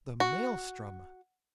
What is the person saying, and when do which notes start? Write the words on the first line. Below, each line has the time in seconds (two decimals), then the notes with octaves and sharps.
The Maelstrom!
0.20 F#4